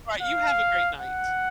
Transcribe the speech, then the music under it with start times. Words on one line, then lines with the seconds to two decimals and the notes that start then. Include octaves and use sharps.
Alright, you have a great night.
0.22 F5
0.99 F#5